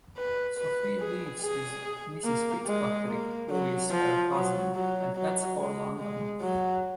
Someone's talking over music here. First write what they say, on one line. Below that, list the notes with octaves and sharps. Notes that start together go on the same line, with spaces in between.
Sophia leaves with Mrs. Fitzpatrick, who is her cousin, and heads for London.
B4
B4
G#4
G#4
A#3
G#3
A#3
F#3
F3
F#3
F#3
F#3
G#3
G#3
F#3